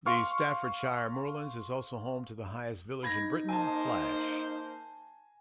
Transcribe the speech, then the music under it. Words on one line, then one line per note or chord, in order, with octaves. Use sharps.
The Staffordshire Moorlands is also home to the highest village in Britain, Flash.
F5 C6 C#6 F6
D#4 B5 G#6 A#6
A#3 C5 G#5 A5